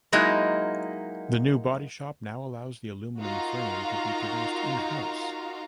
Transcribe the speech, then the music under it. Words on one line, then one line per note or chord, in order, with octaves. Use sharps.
The new body shop now allows the aluminum frame to be produced in-house.
F#3 G#3 A#3 D#4 E4
D#4 F4 F#4 A#4 F5 A#5